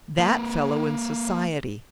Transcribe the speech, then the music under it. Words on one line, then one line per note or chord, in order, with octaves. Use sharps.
"That fellow in Society!"
A#3 B4